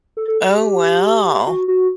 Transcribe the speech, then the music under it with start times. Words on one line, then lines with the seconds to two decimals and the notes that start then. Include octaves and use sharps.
Oh, wow.
0.17 A4
0.28 A4
0.50 G4
1.47 F#4
1.68 F#4